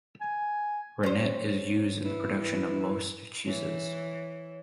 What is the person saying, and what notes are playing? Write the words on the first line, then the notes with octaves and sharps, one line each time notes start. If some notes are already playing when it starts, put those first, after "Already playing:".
Rennet is used in the production of most cheeses.
G#5
C#4 C5
E3
E3 C#5